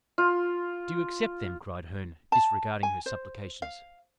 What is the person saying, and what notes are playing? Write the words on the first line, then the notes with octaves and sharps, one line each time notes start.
"Do you accept them?" cried Herne, disregarding her supplications.
F4
A5
G#5
C5
F5